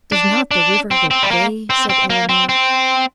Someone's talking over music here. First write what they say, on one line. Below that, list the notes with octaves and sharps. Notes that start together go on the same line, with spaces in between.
"Does not the river look gay?" said Eleanor.
D4
D4
C4
C4
G3
A#3
C4
C4
A#3
C4
C4